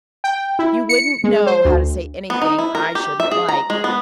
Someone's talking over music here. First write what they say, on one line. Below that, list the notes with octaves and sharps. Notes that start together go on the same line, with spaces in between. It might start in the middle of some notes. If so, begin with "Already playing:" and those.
"You wouldn't know how to say anything I shouldn't like."
G5
E4
C#7
G#3
C5
D2
B3
D#4
E4
A#4
G4
E5
G#4
A#5
G#3
B3